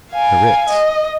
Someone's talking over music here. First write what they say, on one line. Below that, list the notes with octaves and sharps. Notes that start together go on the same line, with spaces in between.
The Ritz.
F5 G#5
D#5